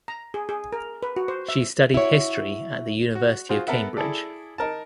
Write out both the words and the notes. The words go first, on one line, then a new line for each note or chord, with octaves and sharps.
She studied history at the University of Cambridge.
A#5
G#4
G#4
A#4
B4
F#4
C5
E5
E4 F#4 C#5
F#4
F4 F#4 G#4 C5
B3 A4 A#4 E5 F#5
E4 G#4 A4 D5
D#4 A#4 A5